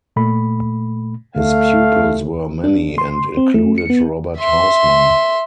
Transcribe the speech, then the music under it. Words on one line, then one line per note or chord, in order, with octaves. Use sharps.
His pupils were many, and included Robert Hausmann.
A#2 A3 B5
D2 A3 F5
D4
C6
C4
A3
C#7
B3
E5 C6